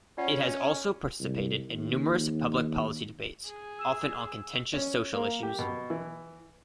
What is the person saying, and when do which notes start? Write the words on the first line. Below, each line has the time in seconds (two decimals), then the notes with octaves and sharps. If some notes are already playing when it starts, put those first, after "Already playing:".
It has also participated in numerous public policy debates, often on contentious social issues.
0.18 C#4 F4 D5 F#5
1.20 C2
1.69 D#2
3.47 G#4
3.79 E6 E7
4.74 C#4
5.14 A#3
5.43 G4
5.59 B2
5.90 E3